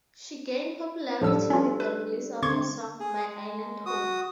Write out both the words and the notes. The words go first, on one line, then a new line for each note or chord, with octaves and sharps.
She gained popularity with the release of her song "My Island Home".
A2 F3 G3 D4 A4 E6
C#4 F4
B4
D3 C4 C6 C#6 G#6
G#4
G#3
F#4 D#6